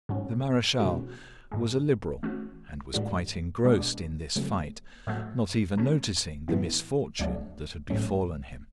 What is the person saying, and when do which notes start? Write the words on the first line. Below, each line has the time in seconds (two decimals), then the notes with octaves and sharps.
The marechal was a liberal, and was quite engrossed in this fight, not even noticing the misfortune that had befallen him.
0.09 G#2 F#3 C#4
0.80 B2 G#3 C#4 F#4
1.52 G#2 E3 G#3
2.23 E3 A3 C#4 F#4
2.94 A2 E3 G#3 D4 F#4
3.64 B2 G#3 B3 D4
4.36 C#3 F#3 A3
5.07 A2 F#3 A3
5.77 D3 A3 C#4
6.48 A2 E3 B3 E4
7.19 D2 D3 F#3 A3 D4
7.90 A1 A2 F#3 A3 C#4